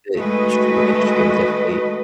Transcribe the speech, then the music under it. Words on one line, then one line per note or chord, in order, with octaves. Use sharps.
the streaming industry has definitely,
D#3 G#3 A3 F#4 B4 D#5